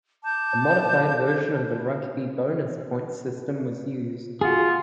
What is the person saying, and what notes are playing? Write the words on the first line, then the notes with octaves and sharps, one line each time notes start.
A modified version of the rugby bonus points system was used.
A5 D6 G6
F4 F#4 G#4